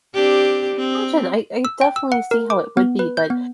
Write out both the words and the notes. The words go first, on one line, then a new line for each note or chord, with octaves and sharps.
can imagine. I I definitely see how it would be, but
C4 D4 G4
C4
E6
G5
E6
F#5
A#4
D6
B3
B4
G6
B3